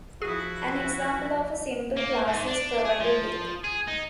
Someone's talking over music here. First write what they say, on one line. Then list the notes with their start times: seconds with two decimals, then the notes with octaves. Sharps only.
An example of a simple class is provided below.
0.22 F3 E4 F#4 G#4
1.97 A#3
2.27 G#2
2.46 D4
2.85 G#4
3.00 F3
3.64 G#4
3.88 D#4